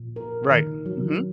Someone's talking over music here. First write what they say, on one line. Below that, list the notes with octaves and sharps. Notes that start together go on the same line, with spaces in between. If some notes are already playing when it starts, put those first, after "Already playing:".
Right, mhm.
Already playing: A#2
A#4
D#3
F#3